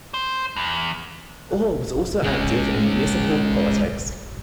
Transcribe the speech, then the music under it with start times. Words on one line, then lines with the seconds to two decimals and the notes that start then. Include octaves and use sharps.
Orr was also active in municipal politics.
0.14 C5
0.56 E2
2.24 G#3 C#4